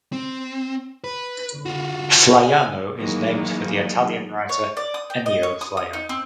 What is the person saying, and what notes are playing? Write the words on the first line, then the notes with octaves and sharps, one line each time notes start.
Flaiano is named for the Italian writer Ennio Flaiano.
C4
B4
F4 F#4
G#5
D#3 E3 F#3 G#3 A#3 D#4
C#5
D5
D#6
G5
D#5
C#5
D#6
D#6
D#4
C4